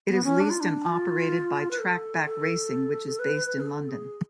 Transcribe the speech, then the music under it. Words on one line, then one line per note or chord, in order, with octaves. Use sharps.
It is leased and operated by Trakbak Racing which is based in London.
B3
C#4
D4
F4
D4
F4
B4
A4
A4
B4
G#4
A4
G#4